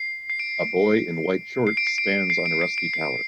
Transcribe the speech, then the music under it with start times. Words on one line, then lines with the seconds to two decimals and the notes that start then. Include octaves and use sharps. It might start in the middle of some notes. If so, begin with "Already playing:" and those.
A boy in white shorts stands on a rusty tower.
Already playing: C7
0.30 C7
0.39 D7
1.67 C7
1.77 D7
1.87 C7
1.98 D7
2.30 C7
2.46 D7
2.61 C7
2.78 D7
2.94 C7